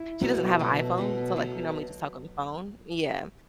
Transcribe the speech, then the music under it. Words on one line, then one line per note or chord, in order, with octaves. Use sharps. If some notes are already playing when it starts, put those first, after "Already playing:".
she doesn't have a iPhone, so, like, we normally just talk on the phone Yeah,
Already playing: E4
B2 F#3 A3
B2 F#3 A3
B2 F#3 A3
B2 F#3 A3